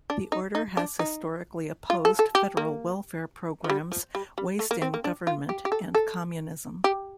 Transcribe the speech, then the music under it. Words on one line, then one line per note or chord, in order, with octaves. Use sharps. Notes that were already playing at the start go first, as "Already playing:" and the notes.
The order has historically opposed federal welfare programs, waste in government and Communism.
D4
D#4
D#4
D4
D#4
F4
A4
A4
G4
A#3
F3
G3
F3
G3
G3
A3
A#3
C4
A#3
D4
F4
G4
G4
A4
A4
G4